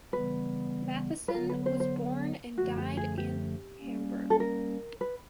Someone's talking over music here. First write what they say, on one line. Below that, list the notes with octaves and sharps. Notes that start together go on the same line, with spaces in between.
Mattheson was born and died in Hamburg.
C#3 E3 G3 B3 B4
B4
D3 F#3 B3 A#4
B4
C5
C5
F#2 D3 F3 A3 F#4
G4
G#4
G4
G3 A#3 C#4
A4
A#4
B4